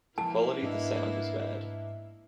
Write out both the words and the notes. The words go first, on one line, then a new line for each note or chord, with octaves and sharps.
The quality of the sound was bad.
F3 G#3 A#3 B3 E4 A5
G#2 D4 D#5 E5